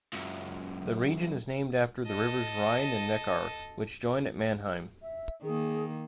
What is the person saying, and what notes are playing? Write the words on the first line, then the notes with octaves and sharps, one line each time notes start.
The region is named after the rivers Rhine and Neckar, which join at Mannheim.
C#2 F#2
A4 D#5
E5
D#3 A#3 G#4